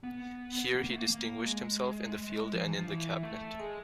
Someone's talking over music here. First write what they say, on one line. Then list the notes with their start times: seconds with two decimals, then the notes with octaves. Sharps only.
Here he distinguished himself in the field and in the cabinet.
0.03 B3
0.75 B3
0.82 A#3
0.89 A3
0.96 A#3
1.11 A#3
1.45 G#3
2.53 F3
2.63 E3
2.73 F3
2.88 E3
3.23 A3
3.59 G#3